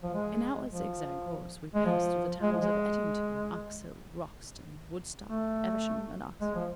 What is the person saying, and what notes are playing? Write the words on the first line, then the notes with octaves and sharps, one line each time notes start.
In our zigzag course we passed through the towns of Ettington, Oxhill, Wroxton, Woodstock, Eversham and Oxford.
F3
G#3
F3
G#3
F3
G#3
F3
G#3
A3
G#3
F3